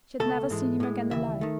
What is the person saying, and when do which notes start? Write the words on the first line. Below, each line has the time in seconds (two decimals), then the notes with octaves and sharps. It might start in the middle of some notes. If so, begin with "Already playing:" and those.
She had never seen him again alive.
0.20 C#2 B2 A3 A4
0.50 G#2 E3 G#3
0.80 A2 G#3
1.11 D#2 C#3 E3 E5
1.41 D#3 A3